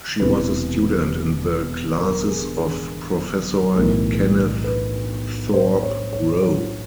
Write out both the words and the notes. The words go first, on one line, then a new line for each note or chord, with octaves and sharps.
She was a student in the classes of Professor Kenneth Thorpe Rowe.
E1 E2 C3 E3 B4
A#4
G#4
G#4
B1 A2 E3 A#4
B4
C5
C#5
C#5
C#5